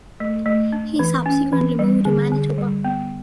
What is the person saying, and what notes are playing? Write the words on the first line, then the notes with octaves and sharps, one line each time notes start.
He subsequently moved to Manitoba.
A3
A3
D4
E3
C#4
E3
G3
D3
D3
G3
B3